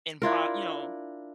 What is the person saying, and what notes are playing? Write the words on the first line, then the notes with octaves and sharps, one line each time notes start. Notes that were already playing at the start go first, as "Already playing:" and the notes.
in pro you know.
D4 E4 F4 A#4